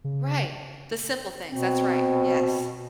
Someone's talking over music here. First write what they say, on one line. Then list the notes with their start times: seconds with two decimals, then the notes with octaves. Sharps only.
Right, the simple things- that's right, yes.
0.04 C#3
1.50 B2 C4